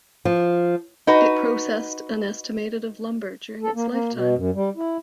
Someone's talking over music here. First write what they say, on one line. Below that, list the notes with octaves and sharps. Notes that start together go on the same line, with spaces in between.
It processed an estimated of lumber during its lifetime.
F3
D#4 F#4 B4
A4
A#3
A#3
B2
F#2
G3
E4